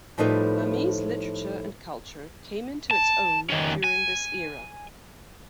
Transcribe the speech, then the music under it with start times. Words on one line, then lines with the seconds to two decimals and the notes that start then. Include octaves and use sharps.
Burmese literature and culture came into its own during this era.
0.18 A2 F3 G3 D#4 A4 B4
2.91 A5
3.50 D#3 C#4
3.84 G#5